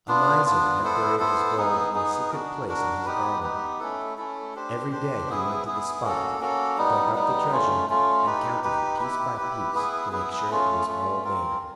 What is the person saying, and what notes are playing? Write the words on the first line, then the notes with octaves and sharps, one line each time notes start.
A Miser had buried his gold in a secret place in his garden. Every day he went to the spot, dug up the treasure and counted it piece by piece to make sure it was all there.
B3 D4 F4
B3 D4 F4
B3 E4 A4 C5
B3 E4 A4 C5
B3 D#4 G#4
B3 D#4 G#4
D4 F#4 A#4
D4 F#4 A#4
B3 D#4 G4 B4
B3 D#4 G4 B4
A3 C#4 E4 A4
A3 C#4 E4 A4
D4 G4 C5
D4 G4 C5
B3 E4 G#4
B3 E4 G#4
A#3 C#4 F#4 A4
A#3 C#4 F#4 A4
G3 B3 D#4
G3 B3 D#4
A3 C#4 F4
A3 C#4 F4
D#4 G4 B4
D#4 G4 B4
E4 G4 B4
E4 G4 B4
B3 E4 G#4 B4
B3 E4 G#4 B4
A3 C#4 F4
A3 C#4 F4
C4 F4 A#4